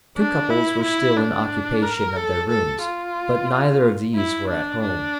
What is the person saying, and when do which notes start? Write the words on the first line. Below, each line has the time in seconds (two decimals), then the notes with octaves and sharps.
Two couples were still in occupation of their rooms, but neither of these were at home.
0.17 D4
0.50 E4
0.83 E4
1.17 D4
1.82 A#4
2.16 A4
2.50 A4
2.83 F4
4.15 E4
4.49 D4
4.82 D4